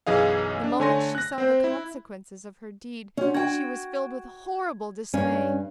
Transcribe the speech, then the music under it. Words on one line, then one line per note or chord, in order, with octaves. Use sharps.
The moment she saw the consequences of her deed she was filled with horrible dismay.
B1 F#2 E3 G#4 D#5 F5
D4
D3 A3 C#5 G#5 C6 A#6
F#6 A#6
C4 C5
E4
C#4 D4 F#4
F#4 G5 G#6
G2 C#4